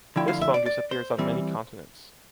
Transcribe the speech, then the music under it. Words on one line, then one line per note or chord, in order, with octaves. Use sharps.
This fungus appears on many continents.
D2 D3 F3 E4 G5
F5
E5
D5
D5
C5
E3 G3 C4